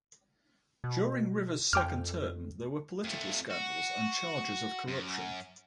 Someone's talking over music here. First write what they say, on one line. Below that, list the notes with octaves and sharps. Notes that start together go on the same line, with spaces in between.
During Rivers' second term, there were political scandals and charges of corruption.
B2
F2 G5 D6 F6
F2 A3
F#4
F#2